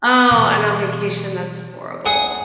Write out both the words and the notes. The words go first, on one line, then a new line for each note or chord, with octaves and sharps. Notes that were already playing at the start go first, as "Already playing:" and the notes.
Oh, and on vacation, that's horrible.
B2 E3
G#4 F#5 D#6